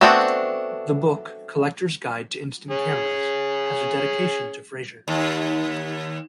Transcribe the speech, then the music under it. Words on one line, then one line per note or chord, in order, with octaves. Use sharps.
The book "Collector's Guide to Instant Cameras" has a dedication to Fraser.
A3 B3 C4 D4 F#4
C#4 G#4
D#2